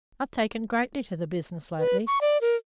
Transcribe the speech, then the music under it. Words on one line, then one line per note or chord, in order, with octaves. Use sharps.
I've taken greatly to the business lately.
B4
C#6
D5
A#4